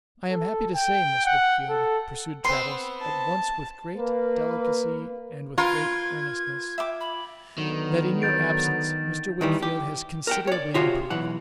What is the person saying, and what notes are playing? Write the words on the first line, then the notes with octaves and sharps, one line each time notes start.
'I am happy to say, Miss Wickfield,' pursued Traddles, at once with great delicacy and with great earnestness, 'that in your absence Mr. Wickfield has considerably improved.
A4
G5
F#5
A4
B3 C4 C6
A5
A#3 B4
F4 A#4 B4 G#6
E5 G5 D6
B5
D3 D#3 F#3 B3
G6 A6 D7
D#3 E3 G3
G4
A#4 F#5 G5
C#5 D5
C3 F4 F#4 C#5 E5
B1 E3 F#5